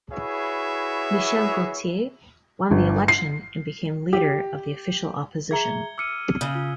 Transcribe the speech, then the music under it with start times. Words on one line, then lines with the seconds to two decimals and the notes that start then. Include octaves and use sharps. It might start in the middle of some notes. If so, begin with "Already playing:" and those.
Michel Gauthier won the election and became Leader of the Official Opposition.
0.11 E4 F#4 G#4 B4 C#5 E5
2.71 G1
3.08 C7
4.13 G4
5.51 G#4 E5 A#5 G#6 C#7 G7
5.98 D6 E6 F6 C#7 D#7
6.41 C#3 D#6
6.55 F4